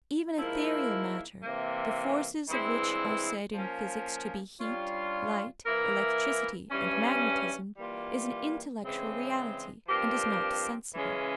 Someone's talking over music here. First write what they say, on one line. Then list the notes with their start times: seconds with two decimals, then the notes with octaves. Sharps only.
Even ethereal matter, the forces of which are said in physics to be heat, light, electricity and magnetism, is an intellectual reality, and is not sensible.
0.36 G#2 F3 A#3 E4 A#4
1.42 C3 E3 A#3
2.48 G2 E3 G#3 C4 E4
3.54 F3 A#3 C#4
4.59 G2 G3 C#4 F4
5.65 E3 A#3 E4 A#4
6.71 G2 E3 G3 C#4
7.77 E3 G3 A#3 F4
8.82 C#3 E3 G#3 C4
9.88 G2 F3 C4 G4 A#4
10.94 C#3 E3 G#3 C#4